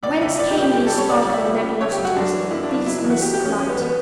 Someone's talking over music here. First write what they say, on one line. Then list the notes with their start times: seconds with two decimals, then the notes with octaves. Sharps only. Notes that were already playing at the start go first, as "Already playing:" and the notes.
Whence came these sparkling nebulosities, these mists of light?
0.03 C#2 D5
0.16 D5
0.21 C#2 E5
0.38 C#2 D5
0.51 G4
0.57 C#2
0.62 G4
0.74 G3 G4
0.87 A4
0.92 G3
0.98 C#5
1.09 C#2 D5
1.22 C#2 D5
1.33 E5
1.45 G3 E5
1.62 C#3
1.80 C#3 C#5
1.92 G4
1.98 F#2
2.05 F#4
2.16 F#2 D4
2.33 E3
2.51 F#2 E4
2.63 D4
2.69 C#3
2.74 D4
2.86 F#3 E4
2.98 E4
3.04 A1
3.10 F#4
3.22 F#3 G4
3.34 G4
3.39 A1
3.45 C#4
3.58 F#3 C#4
3.69 B3
3.75 A1
3.82 B3